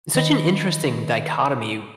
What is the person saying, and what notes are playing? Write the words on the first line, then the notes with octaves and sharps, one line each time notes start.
such an interesting dichotomy,
D#3 B4 D#5 B5 A#6